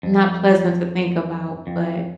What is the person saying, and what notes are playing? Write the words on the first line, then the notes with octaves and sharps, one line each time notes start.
not pleasant to think about but
F2
F2